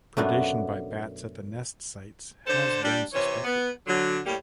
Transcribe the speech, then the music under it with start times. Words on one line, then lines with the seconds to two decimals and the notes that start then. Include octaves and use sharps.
Predation by bats at the nest sites has been suspected.
0.17 F#2 B2 A3 B3 D4
2.47 D3 A4 C5
2.82 G3 D4
3.13 C3 E3 C#5
3.44 B3
3.87 D3 F#3
4.26 A2 G3 A#3 G4